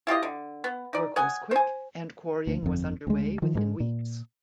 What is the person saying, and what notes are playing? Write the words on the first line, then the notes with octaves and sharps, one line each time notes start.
Work was quick and quarrying was underway within weeks.
E4 F4 G4 D#5
D3
B3
D#4 D5
C#5 D#5 F#5 G#5
C5 G#5
D2
G1 F2
D2 G#3
D#3 F3
G#2 F#3 G#3
A#2